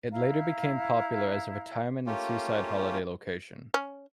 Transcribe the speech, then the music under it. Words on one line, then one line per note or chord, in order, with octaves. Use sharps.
It later became popular as a retirement and seaside holiday location.
E4 F5 A#5
A3 A#3 C#4 F4 G4
C#4